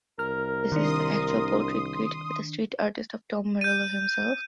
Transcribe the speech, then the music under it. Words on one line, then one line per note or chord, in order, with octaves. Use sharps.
This is the actual portrait created by the street artist of Tom Morello himself.
C2 A#4 F6
D#3 D4 C6 D#6
G6 D#7